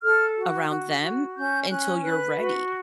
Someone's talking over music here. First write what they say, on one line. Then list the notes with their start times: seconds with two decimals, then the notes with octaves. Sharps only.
around them until you're ready.
0.02 A4 F6
0.36 F#4
0.69 F#4
1.02 F#4
1.36 C#4 G6
1.69 C#4 F#6
2.02 B4 F#6
2.36 F#4